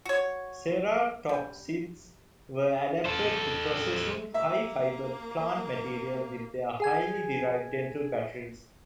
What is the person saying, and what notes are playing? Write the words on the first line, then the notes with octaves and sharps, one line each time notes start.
Ceratopsids were adapted to processing high-fiber plant material with their highly derived dental batteries.
F#4 C#5
G3
A4 C5
A#3 E5
G#4 G#5 G#6